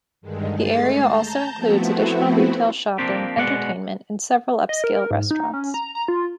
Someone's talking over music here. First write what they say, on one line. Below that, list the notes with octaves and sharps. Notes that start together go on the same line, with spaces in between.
The area also includes additional retail shopping, entertainment, and several upscale restaurants.
G2 D3 D#3 G#3
G#3 A3 A6 C7
A5 A#5 G6
F3 A3 B3 C4 E4 F#4
F3 A#3 C4 D4 G4
B2 G#3 D5 F#5
D#5
A#4
G#2
D#4
C#4
A#5
A#5
F4